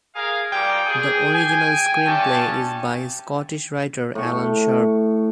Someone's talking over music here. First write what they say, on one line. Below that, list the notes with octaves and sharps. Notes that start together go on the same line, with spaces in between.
The original screenplay is by Scottish writer Alan Sharp.
G#4 A#4 F5
G3 A#3 F4 G5
G#4
G#5
G2 C#4 A5
A2 C#6